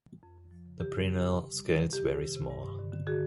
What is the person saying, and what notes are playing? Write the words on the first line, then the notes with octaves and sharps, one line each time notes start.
The preanal scales very small.
F2
F2
F3
C#3
C#3 G4
C#3
C#3
C#3
C3
G3
G3
C3
D#3 G4
F2
C3
C3
G2
G2
D3
D3
D3 F#4 G#4